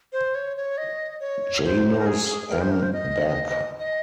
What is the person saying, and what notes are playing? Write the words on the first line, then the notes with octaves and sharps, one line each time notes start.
Janos M. Bak.
C5
C#5
C#5
D#5
C#5
C5
A#4
G#4
A#4
C5
A#4
C5
D#5
D#5